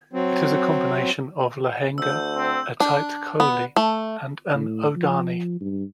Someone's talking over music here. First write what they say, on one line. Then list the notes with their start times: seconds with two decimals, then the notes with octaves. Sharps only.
It is a combination of "lehenga", a tight "choli" and an "odhani".
0.13 F#3 C4
1.98 D2 E6 G6
2.36 C4
2.80 D4
3.40 B3
3.76 A3
4.53 A2
4.95 F3
5.61 G2